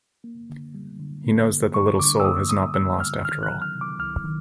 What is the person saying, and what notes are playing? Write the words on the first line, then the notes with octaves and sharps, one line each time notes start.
He knows that the little soul has not been lost after all.
A#3
D3
G3
D3
A#3
D3
G3 C#6
D3 D6
E6
A#3 D#6
D3 D#6
G3 E6
D3 F6
D#3 F6
F#6
F#3
F6
C3
D6
C2 F6
D#3